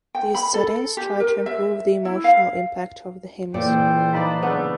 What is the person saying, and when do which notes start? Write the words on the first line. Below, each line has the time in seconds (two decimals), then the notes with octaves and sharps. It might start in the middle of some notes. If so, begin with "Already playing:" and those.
These settings try to improve the emotional impact of the hymns.
0.15 G5
0.35 B5
0.54 A4
0.97 G4
1.20 A#4
1.46 E5
2.05 E4
2.24 F5
3.54 C#2 A#2 E3 A4 C5 D5 G5
4.13 D#4 B4 D5 F5 A5 B5
4.43 C#3 A3 B3 D4